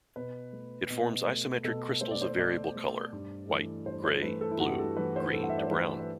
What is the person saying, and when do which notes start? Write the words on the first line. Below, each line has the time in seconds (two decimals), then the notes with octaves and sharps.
It forms isometric crystals of variable color: white, grey, blue, green, to brown.
0.16 B2 B4
0.53 A3
0.90 B2
1.28 A3
1.64 B2 A4
2.01 A3 C5
2.11 D5
2.22 C5
2.39 B2 D5
2.76 A3
3.13 G2
3.49 E3 A3
3.86 G2 C5
4.04 C5
4.22 E3 A3 B4
4.41 A4
4.51 E4
4.60 G2 F#4
4.69 G4
4.79 A4
4.97 E3 A3 B4
5.16 C5
5.33 G2 A4
5.43 F#5
5.50 E5
5.57 D5
5.63 C5
5.71 E3 A3 B4
6.00 B4